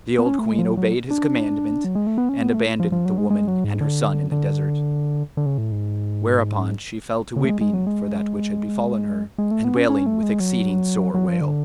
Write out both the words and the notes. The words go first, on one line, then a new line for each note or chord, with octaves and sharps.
The old Queen obeyed his commandment and abandoned the woman and her son in the desert; whereupon she fell to weeping for that which had befallen her and wailing with exceeding sore wail.
B3
C#4
A3
G#3
F3
F#3
F#3
D4
F#3
G#3
A3
B3
C#4
B3
A3
F3
F3
F#3
G#3
G#3
F#3
G#2
D3
D3
D3
C#3
A2
G#2
C#3
A3
G#3
G#3
F#3
G#3
G#3
A3
B3
C#4
C#4
A3
G#3
F#3
F#3
F3
D3